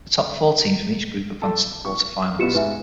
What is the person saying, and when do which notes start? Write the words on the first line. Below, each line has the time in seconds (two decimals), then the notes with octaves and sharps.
The top four teams from each group advanced to the quarter-finals.
1.42 A4
1.85 C#6
2.39 B2 B3 F4 G4 C#7 E7
2.54 G#2 B4 E5